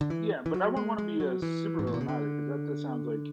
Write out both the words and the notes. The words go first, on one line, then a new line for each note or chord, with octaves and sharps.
Yeah, but I wouldn't wanna be a supervillain either 'cause that just sounds like
D3
E3
E3
F#3
G#3
G#3
F#3
E3
G#2
A2
B2
C#3
D3